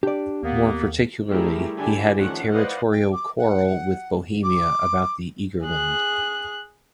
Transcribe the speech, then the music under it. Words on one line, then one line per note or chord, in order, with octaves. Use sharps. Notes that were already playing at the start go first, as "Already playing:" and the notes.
More particularly, he had a territorial quarrel with Bohemia about the Egerland.
D4 G4 D5
D#2 A#3 B3
G3 A3 E4 G4 G#4 A#4
D3 D4 E4 G4 A4 G#5
D#3 F3 A3 C#4 D4 F#5
B4 C5 D5 D#5 F5 F#5
G5
D6
F#5
D6
G#4 F#6